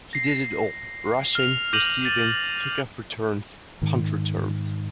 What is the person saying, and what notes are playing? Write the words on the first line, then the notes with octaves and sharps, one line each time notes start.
He did it all -- rushing, receiving, kickoff returns, punt returns.
A#6 C7
F6 F7
D6 G6 A#6 D#7 F7 F#7
A6
G#2 D#3